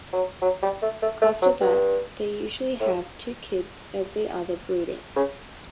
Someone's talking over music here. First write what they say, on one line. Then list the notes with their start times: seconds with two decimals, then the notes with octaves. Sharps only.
After that, they usually have two kids every other breeding.
0.13 F#3
0.42 F#3
0.63 G3
0.82 A3
1.02 A3
1.22 A3
1.42 F#3
1.60 G2
2.80 A2
5.16 C#3